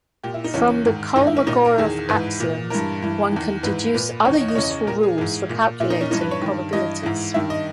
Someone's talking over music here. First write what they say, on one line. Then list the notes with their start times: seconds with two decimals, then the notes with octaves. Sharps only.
From the Kolmogorov axioms, one can deduce other useful rules for calculating probabilities.
0.23 A#2 G4
0.34 E4
0.45 D#4
0.54 E2 C#3 E3 C#4
0.85 G#2 D#3
1.16 G#2 D#3 D#4
1.27 E4
1.37 C#4
1.47 A#2 D#4
1.66 A#4
1.78 E2 D#3 G#4
2.09 G#2 E3 B4
2.40 A#2
2.70 G2 E3 A#4
3.02 G2 E3
3.33 E2 D#3
3.63 G#2 E3 B4
3.94 A#2 B4
4.25 E2 D#3 C#5
4.34 D#5
4.41 C#5
4.48 D#5
4.55 E2 C#3 E3 C#5
4.63 D#5
4.71 C#5
4.87 A#2 A#4
5.03 G#4
5.18 G#2 E3 G#4
5.49 A#2
5.80 A#2 E4
5.90 D#4
6.01 C#4
6.11 G2 E3 D#4
6.21 B4
6.31 C#5
6.42 G2 D#3
6.73 G2 E3 D#5
7.03 G#2 E3
7.34 G2 D#3 E5
7.50 D#5